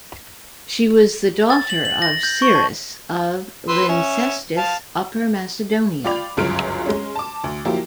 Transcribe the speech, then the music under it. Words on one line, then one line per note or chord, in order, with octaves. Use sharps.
She was the daughter of Sirras of Lyncestis, Upper Macedonia.
A6
F#7
F#7
A#6
G6
C#6
A5
B4 C6 E6
C#4 E5
F5 A5
F4 D5 G5 B5 D6 F7
G1 C#2 F#2 G#3 F6 D7
G#3 C#4
A5 D6
D2
F3 F#3 A#3 E4 G4 A#4